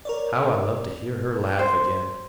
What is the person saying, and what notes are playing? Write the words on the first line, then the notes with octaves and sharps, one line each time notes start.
How I loved to hear her laugh again!
A#4 C#5 D5
C5